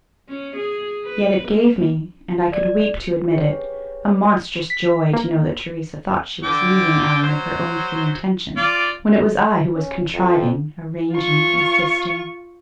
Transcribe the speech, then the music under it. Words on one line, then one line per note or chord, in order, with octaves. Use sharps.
Yet it gave me, and I could weep to admit it, a monstrous joy to know that Theresa thought she was leaving Allan of her own free intention, when it was I who was contriving, arranging, insisting....
C#4
G#4
B4
A#3
D5
G4 G#4 B4 C#5
B6
A#3
D3 G5 D6
F#3 C5
F4 D5 D6
C#4
F2
F4 C#6